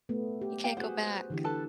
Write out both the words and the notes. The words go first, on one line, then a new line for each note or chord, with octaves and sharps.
You can't go back.
A3 B3
G4
F5 G5
F#4 G#4 B4 C5 F#5
D3 E3 G4
A4 B4 A5